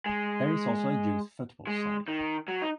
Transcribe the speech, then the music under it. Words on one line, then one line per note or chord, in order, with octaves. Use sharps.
There is also a youth football side.
G#3
G#3
D#3
F#3
D#4